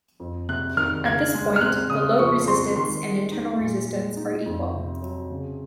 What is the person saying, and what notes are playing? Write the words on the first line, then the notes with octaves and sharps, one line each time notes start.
At this point, the load resistance and internal resistance are equal.
F2
C3 F#6
D#3 F6
C#3 G#6
G#3
F6
C4 F#6
C#3 D#6
F3 C#6
C4 C6
D#3 C6
G#3
D#4
A#2
G#3
D#4
F2
C3
F#3
C#3